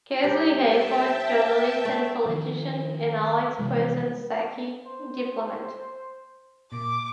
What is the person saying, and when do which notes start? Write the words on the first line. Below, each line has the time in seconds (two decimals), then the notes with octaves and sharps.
Casely Hayford, journalist and politician; and Alex Quaison-Sackey, diplomat.
0.23 G2 G4 A#4
0.63 E5 G5 A5
1.85 A3
2.25 D#3 F3
3.59 C3 E3 F3 G#3
4.86 C5
6.72 A#2 D6